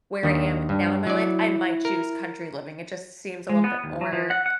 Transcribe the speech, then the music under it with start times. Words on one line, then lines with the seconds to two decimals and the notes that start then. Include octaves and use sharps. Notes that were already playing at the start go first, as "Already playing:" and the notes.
where I am now in my life, I might choose country living, it just seems a little bit more,
0.23 D#2 D#3 D4
0.69 G2 D4
1.07 F#3 E4 D5
1.85 A#4
3.49 G#3
3.64 B3
3.84 D#2
4.01 F#3
4.13 F3
4.30 F#5
4.46 F#5